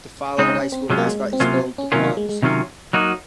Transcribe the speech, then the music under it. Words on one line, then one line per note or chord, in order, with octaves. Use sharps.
The Fowler High School mascot is Goldbugs.
C#3 G#3 C4 C#4 D#4
C#4
C4
C3 F#3 G#3 C#4 F4
A#3
G#3
C4
C3 F#3 A#3 C#4 F4
C4
C#4
C3 D#3 F#3 A#3 C#4 F4
A#3
G#3
G#3
C3 D#3 F#3 C#4 F4
F#3 A#3 D#4 F#4